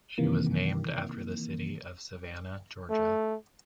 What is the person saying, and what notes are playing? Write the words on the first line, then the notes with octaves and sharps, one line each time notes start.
She was named after the city of Savannah, Georgia.
C3 D#3 E3 A#3
A3